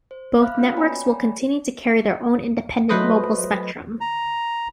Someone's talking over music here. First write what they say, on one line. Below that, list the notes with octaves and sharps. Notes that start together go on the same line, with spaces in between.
Both networks will continue to carry their own independent mobile spectrum.
C5
E5 F5 B5 F6 F#6
A#3 B3 C#4 F4 F#4 B4
C#5 D5 G5 G#5 A#5 B5
F#3 A3 B4 C5 D#5
A#5